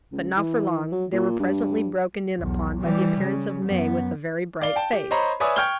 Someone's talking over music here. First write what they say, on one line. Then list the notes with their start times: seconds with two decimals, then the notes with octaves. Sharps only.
But not for long; they were presently broken in upon by the appearance of May with a very bright face.
0.12 C#2
0.37 E3
0.92 F#3
1.13 A#2
1.40 G2
2.39 B1 E2
2.80 E3 G3
3.19 C#3
3.65 F#2 B3
4.62 D5 F5 G7
4.76 G5 A5
4.93 G4
5.11 C5 C#5 D#5 A#5 B5
5.40 B4 C#5 D5 E5 G#5 D#6
5.56 G5 C#6 F6 G6 G#6 G7